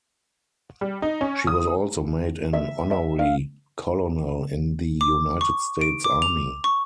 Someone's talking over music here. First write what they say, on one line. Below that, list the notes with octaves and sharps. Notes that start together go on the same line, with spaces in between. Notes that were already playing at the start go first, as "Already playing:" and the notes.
She was also made an honorary colonel in the United States Army.
G3
D#4
C#4
D#6
E5
E5
F5
D6
C#6
D7
D6
F7
C#6